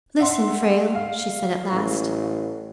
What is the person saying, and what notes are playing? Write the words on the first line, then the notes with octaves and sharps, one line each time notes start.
"Listen, Frale," she said at last.
E5 F#5 C6
F5
A1